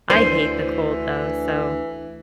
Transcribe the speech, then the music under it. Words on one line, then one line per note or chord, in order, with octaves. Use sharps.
I hate the cold, though, so,
D2 D3 E3 C5